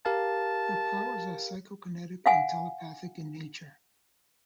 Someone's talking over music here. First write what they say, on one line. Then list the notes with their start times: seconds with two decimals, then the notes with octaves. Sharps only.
Her powers are psychokinetic and telepathic in nature.
0.06 G4 A#4 F5 A5
2.26 F5 F#5 G#5